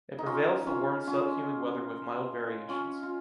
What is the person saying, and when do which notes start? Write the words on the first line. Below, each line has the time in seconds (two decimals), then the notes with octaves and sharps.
It prevails the warm sub-humid weather with mild variations.
0.19 D#4
0.26 C#4 F4
0.66 C#4 F4
1.07 C#4 F4
2.69 C#4 F4
3.03 F4